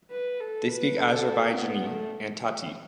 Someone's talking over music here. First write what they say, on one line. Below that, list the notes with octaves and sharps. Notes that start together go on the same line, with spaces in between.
They speak Azerbaijani and Tati.
B4
A4
B4
A4
B3
A3